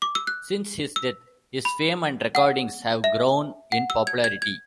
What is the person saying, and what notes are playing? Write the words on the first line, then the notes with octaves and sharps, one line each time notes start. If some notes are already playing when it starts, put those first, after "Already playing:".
Since his death, his fame and recordings have grown in popularity.
D6
E6
F#6
E6
B5
F#5
E5
F#5
E6
G#6
G#6
G#6